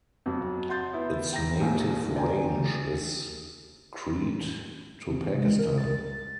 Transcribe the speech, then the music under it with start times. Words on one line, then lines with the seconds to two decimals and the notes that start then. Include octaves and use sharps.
Its native range is Crete to Pakistan.
0.26 F2 F#3
0.69 F#5 C6 G6 A6
0.93 B3 E4
1.33 G5 A#5 A#6
1.60 D#1 A#1 D#2 A#2
2.16 D5 G5 G#5 A#5
5.09 C3
5.37 G#3
5.59 A#4
5.78 A6